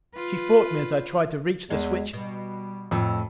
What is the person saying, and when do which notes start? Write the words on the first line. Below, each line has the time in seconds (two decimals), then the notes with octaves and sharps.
She fought me as I tried to reach the switch.
0.14 F4 B4
1.70 E2 G#3
2.13 B2 G3
2.91 F2 A2